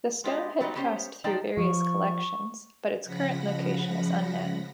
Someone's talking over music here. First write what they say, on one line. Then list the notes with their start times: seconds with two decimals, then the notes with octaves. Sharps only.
The stone had passed through various collections, but its current location is unknown.
0.24 G#3 B3 D4 F4 G4 D#5
0.60 F#3 G3 B3 D#4 F4
0.75 B3 C#4 G4 C5 C#5
1.24 F3 D#4 D5 G5 A5 A#5
1.57 F3 C#6
3.05 C#3 F3 F#5 B5 A#6